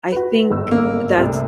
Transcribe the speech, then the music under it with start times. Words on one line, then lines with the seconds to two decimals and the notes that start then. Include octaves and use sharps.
I think that's
0.12 F#4 B4
0.50 G1 G#2 E6
0.71 A#3
1.17 C2 A2 C3